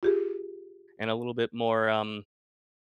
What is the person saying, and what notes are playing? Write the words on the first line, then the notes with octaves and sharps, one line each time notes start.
and a little bit more, um,
F4 G4 G#4